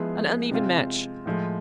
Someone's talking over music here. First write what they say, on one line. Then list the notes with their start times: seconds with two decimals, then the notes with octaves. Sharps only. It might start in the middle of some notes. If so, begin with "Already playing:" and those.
An uneven match.
Already playing: F3 G#3 B3 E4 G#4
0.51 C3 G#3 C4 F4
1.26 A2 F3 G#3